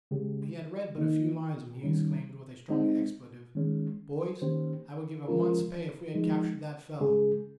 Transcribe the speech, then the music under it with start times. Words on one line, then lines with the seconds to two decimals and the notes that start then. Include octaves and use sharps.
He had read but a few lines when he exclaimed, with a strong expletive, "Boys, I would give a month's pay if we had captured that fellow!"
0.11 C#3 G#3 C#4 G4
0.97 D#3 A#3 D#4
1.83 D#3 G3 C#4
2.69 G#3 C4 D#4
3.55 D#3 G#3 C#4
4.42 D#3 A#3 C#4 G4 C5
5.28 F3 G#3 C#4 F4 A#4
6.14 F3 G#3 D#4
7.00 C#3 G#3 C#4 G#4